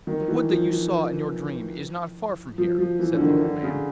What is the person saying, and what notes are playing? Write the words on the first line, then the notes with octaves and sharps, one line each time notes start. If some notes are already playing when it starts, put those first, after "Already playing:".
'The wood that you saw in your dream is not far from here,' said the old man.
D#3
E3
F3
F3
F3
F3
E3
D3
D#3
D3
C#3